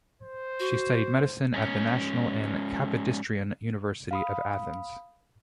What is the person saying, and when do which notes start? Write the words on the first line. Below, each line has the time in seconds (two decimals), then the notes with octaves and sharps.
She studied medicine at the National and Kapodistrian University of Athens.
0.22 C5
0.60 F#4
1.54 G#2 C#4
4.11 F5 B5 D#6